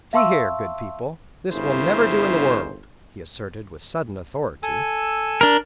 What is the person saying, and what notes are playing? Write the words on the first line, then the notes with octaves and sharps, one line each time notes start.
"See here, good people, this will never do in the world," he asserted with sudden authority.
E5 F5 A5 C6 C#6 E6
G1 C#3 E4 C5
A4 G#5 E6
D4 A#4